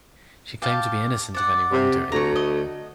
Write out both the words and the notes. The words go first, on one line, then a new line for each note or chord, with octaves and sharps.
She claimed to be innocent of any wrongdoing.
G4 F5 A5
D5 F#5
C3
D2 A#5 C#6
D#5